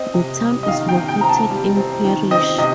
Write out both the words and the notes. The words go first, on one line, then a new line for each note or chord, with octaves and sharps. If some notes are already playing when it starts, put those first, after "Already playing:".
The town is located in Parish.
Already playing: C4 D#5
C3
G3
D#5
D#3 F5
G5
C3
G5
C4 A#5
A5
G3
C4
D#3
C4 D#5
C3 D#5